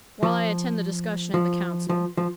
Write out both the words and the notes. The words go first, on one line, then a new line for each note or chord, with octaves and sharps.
While I attend the discussion in the Council....
F3
F3
F3
F3